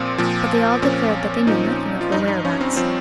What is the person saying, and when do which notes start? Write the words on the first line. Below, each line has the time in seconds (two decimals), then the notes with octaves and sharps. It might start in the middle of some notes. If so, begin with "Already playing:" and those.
But they all declared that they knew nothing of her whereabouts.
Already playing: A#2 F3 C4
0.18 A#2 F3
0.82 A#2 F3 C#4
1.47 A#2 F3 D#4
2.01 F4
2.12 G2 F3 D#4
2.28 D#4
2.45 C#4
2.61 C4
2.77 F3 C4